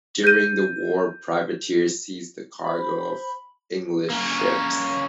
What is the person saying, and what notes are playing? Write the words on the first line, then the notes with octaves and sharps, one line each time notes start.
During the war, privateers seized the cargo of English ships.
G6 D#7
C5 B5
A#3 C#4